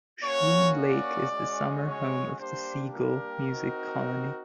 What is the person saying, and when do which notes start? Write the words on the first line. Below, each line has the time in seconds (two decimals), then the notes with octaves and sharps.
Schroon Lake is the summer home of the Seagle Music Colony.
0.22 A#3 C#4 F#4 C#5
0.77 D5
1.30 G#3 C#4 F#4
1.84 C#5
2.39 G3 A#3 D4 G4 C5
2.93 A#4
3.48 C4 D#4 F#4